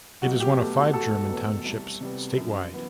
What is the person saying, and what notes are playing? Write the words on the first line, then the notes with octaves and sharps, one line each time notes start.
It is one of five German Townships statewide.
B1 F#4
G4
B2 A3 G4
F#4
E1 F#4 A4
E2 B2 A3
C2
C3 G3 B3
F#2
E3 B3